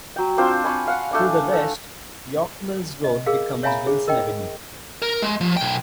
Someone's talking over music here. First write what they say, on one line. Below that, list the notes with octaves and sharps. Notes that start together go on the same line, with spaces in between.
To the west, York Mills Road becomes Wilson Avenue.
F#3 G5
C4 D4 F4 C5
G#5 B5 C#6
F5 F#5
A3 D4 G#5
A4
D#5
G#4 A#4 F5
C#5 E5 F5 G#5 A#5 B5
G#4
A#4 D#5 G5
A#4
G#3
F3
B1 G5